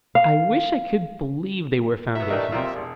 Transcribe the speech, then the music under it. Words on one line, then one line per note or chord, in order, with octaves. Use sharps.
"I wish I could believe they were foundations."
F5
F#3 B3 E5
E3 G3 A3 D4 A#4 D#5
F2 A#2 G3 C4 F4
E1